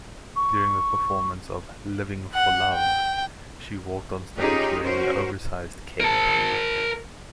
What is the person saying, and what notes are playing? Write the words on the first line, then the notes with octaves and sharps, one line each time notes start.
During the performance of "Living for Love", she walked onstage wearing an oversized cape.
C#6
F#5
G5
C#4 D#4 F4 G4 G#4
C#4 F#4 A#4 C5
A#4 A5